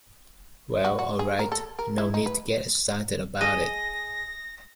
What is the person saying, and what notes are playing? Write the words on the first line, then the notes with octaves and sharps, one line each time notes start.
Well, all right, no need to get excited about it.
F#4
F#4
G#4
A#4
A4
A#4
E4
D#4
B4
G#4 A4 D#5 A#6